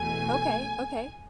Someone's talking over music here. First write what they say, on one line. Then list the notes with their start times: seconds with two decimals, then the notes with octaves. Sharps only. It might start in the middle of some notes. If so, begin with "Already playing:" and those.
Okay, okay.
Already playing: E2 B2 A3 G#5